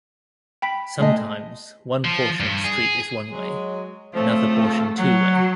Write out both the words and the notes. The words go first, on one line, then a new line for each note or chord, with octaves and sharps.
Sometimes one portion of a street is one-way, another portion two-way.
G5 B5 B6
G#3 A3 D#5
F3
G2
G#4
F#3 G#3
C#3 F3 A3 C4
F#3 F#5